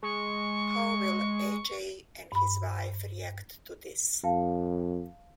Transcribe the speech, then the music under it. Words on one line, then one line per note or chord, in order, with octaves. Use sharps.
How will Ajay and his wife react to this?
G#3 C#6
G2 B5
F2 F5 G5 A5